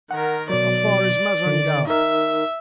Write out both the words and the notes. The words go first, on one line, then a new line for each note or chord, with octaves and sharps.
"How far is Mazingarbe?"
D#3 A#4 F#5
B2 F#3 D5
D3 D#3
D#4 A#4 E5